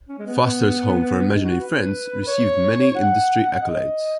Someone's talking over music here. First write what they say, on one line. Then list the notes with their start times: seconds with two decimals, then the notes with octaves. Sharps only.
"Foster's Home for Imaginary Friends" received many industry accolades.
0.09 C#4
0.19 G#3
0.27 B3
1.27 D#4
1.44 F#4
1.61 B4
2.27 C#5
2.96 F#5
3.55 F#5
3.62 D#5